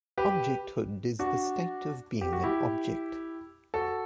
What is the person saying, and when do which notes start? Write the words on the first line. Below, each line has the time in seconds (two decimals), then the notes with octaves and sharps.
Objecthood is the state of being an object.
0.17 G4 B4
1.19 D4 F#4
2.21 G4
2.33 F#4
2.43 E4 G4
3.74 F#4 A4